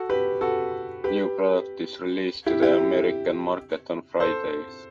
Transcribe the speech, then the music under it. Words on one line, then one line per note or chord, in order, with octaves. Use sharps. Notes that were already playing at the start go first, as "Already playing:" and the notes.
New product is released to the American market on Fridays.
Already playing: F#4 A4
G4 B4
F#4 A4
G4 B4
E4 G4
E4 G4
A4 C5